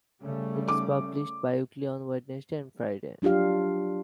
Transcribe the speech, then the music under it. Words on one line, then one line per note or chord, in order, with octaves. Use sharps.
It is published bi-weekly on Wednesday and Friday.
C#3 G3 A3
D6
F#3 D4 F4 G4 F5